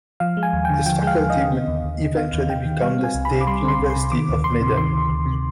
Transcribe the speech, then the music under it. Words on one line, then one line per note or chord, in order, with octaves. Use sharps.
This faculty would eventually become the State University of Medan.
F3 F5
G#3
G#5
D#2
D3 G5
F3 G5
G#3 F5
D#2
D#5
D3
B3
D#2
D#2
D#3
B3 F5
D#2
D#2 G5
D#3
G3 F5
C4
G#5
C2
B5
C3
D6
G3 C6
C4
C6
C2
C6
C3
D#3 D6
D2
D2 C6
C3
D#3 C6
D2
D2
C3